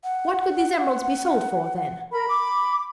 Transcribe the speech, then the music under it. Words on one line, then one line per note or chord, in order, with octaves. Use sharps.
"What could these emeralds be sold for, then?"
F#5
A#4 B5
D6